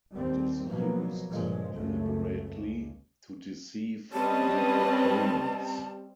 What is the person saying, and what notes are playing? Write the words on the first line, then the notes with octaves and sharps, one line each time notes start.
It is used deliberately to deceive the opponents.
D#2 G3 C4
B2 F3 F#3 A#3 B3
G2 A#2 C#3 F3 G#3
C#2 F#2 C#3 A3
C#2
G3 C4 C#4 B4 D#5 A5